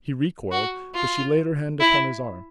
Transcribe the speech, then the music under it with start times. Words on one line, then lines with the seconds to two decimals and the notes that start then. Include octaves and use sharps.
He recoiled, but she laid her hand upon his arm.
0.52 F#4
0.94 F4
1.80 E4